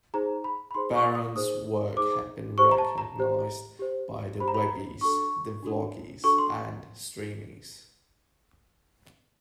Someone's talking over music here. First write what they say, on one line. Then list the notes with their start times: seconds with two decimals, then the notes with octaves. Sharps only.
Baron's work had been recognized by the Webbys, the Vloggies and Streamys.
0.14 D#4 G#4 C5 A#5
0.44 B5
0.71 B5
0.74 D#4 G#4 C5 C6
0.95 C#6
1.15 D#6
1.35 D#4 G#4 C5 D#6
1.97 D#4 G#4 C5 D6
2.58 G4 C5 C#6
2.71 A#5
2.78 A5
2.98 A#5
3.19 G4 C5
3.79 G4 C5
4.40 G4 C5 B5
4.48 A#5
4.54 B5
5.01 D4 F#4 A4 C#6
5.63 D4 F#4 A4
6.24 D4 F#4 A4 C#6
6.38 C6